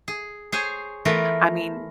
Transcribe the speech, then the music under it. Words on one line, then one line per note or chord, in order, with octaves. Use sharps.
I mean,
G#4
G#4 C5 C#5 G#5
E3 A3 B3 F4 A#4